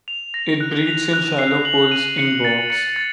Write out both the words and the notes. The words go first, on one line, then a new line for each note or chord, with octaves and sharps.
It breeds in shallow pools in bogs.
F7
A#6
F#6
F7
F#6
C7
F#7
D#7
C#7
A6
C#7
A6